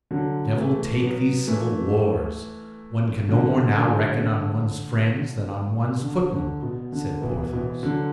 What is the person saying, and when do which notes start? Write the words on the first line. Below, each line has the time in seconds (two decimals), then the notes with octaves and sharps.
"Devil take these civil wars! one can no more now reckon on one's friends than on one's footmen," said Porthos.
0.11 D3 F#3
0.57 E3 A3
1.02 F#3 B3
1.47 E3 A3
3.29 D3 F#3
3.74 D3 F#3
4.20 D3
6.01 D3
6.32 D3
6.62 B2
6.92 D3
7.22 B2 E3
7.53 B2 E3
7.83 D3 F#3